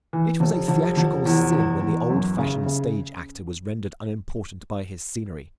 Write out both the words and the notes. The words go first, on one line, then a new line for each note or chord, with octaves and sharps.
It was a theatrical sin when the old-fashioned stage actor was rendered unimportant by his scenery.
E3
F1
F1
F1
E2
E2
E2
F#2
C#3
C#3